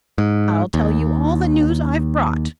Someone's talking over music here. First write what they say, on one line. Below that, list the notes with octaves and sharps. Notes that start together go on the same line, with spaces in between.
I'll tell you all the news I've brought.
G#2
D#2